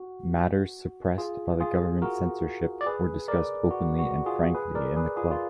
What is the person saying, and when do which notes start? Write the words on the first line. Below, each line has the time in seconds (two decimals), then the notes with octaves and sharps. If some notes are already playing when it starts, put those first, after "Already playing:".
Matters suppressed by government censorship were discussed openly and frankly in the club.
Already playing: F#4
1.18 F4 G#4
1.60 F4 G#4
2.02 F#4 A#4
2.81 D5
2.86 G#4 B4
3.28 A#4 D5
3.71 F#4
3.99 F#4
4.26 F4 G#4
4.55 G#4 B4
4.75 A#4 D5
4.96 G#4 B4
5.17 F4 G#4
5.31 F4